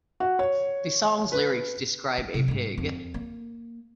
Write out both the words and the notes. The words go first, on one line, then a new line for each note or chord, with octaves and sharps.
The song's lyrics describe a pig.
F#4
C#5
B4
D4
C3 F3
G#2 G3
F2
A#3